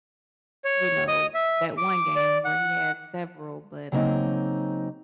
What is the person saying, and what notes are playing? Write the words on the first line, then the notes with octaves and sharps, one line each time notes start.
you know, that one game where he has several, but, um,
C#5
D#5
E5
D6
D5
F#5
C#3 F#3 A#3 C4 D#4